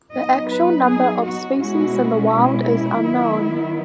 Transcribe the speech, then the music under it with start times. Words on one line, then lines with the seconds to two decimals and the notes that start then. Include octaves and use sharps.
The actual number of species in the wild is unknown.
0.12 F#3 B3 D#4 D#5
0.48 B4
0.85 G#4
1.21 F#4
1.57 B2 G#3 C#4 E4 F#4
2.29 E4
3.02 D#3 F#3 B3